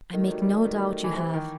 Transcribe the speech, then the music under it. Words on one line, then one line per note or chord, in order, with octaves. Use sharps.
I make no doubt you have.
D#3 A3
G3
F#3
G3
G3
D#3 A3
F#3
G3
E3
C3 E3
D#3